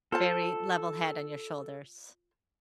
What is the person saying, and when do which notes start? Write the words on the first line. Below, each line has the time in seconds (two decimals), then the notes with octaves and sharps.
very level head on your shoulders.
0.12 F4 A4 C5 A5